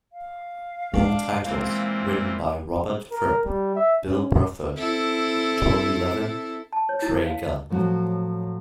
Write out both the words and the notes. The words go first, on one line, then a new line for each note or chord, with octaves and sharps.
All titles written by Robert Fripp, Bill Bruford, Tony Levin, Trey Gunn.
F5
G#3 D4 D5
A#2 E3 C4
A#4
G3
E5
C#4
C4 E4 A4
A5
C#5
E4
F5
A2 F3 F#3 F#4